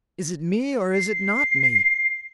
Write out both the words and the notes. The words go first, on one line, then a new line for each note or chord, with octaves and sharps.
'Is it me, or is it not me?
C7